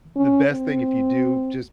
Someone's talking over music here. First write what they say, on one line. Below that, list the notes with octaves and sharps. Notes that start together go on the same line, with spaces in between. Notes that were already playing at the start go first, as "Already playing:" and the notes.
the best thing if you do just
C#4
C4